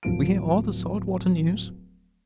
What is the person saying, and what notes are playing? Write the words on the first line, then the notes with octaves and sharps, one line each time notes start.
We hear all the salt-water news.
D1 F3 D7